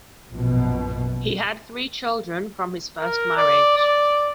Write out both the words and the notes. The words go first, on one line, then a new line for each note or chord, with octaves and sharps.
He had three children from his first marriage.
A#1 F#2 B2
A#4
D5
D5